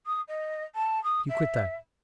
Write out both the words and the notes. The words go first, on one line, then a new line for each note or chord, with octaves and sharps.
"You quit that!"
D#6
D#5
A5
D#6
E5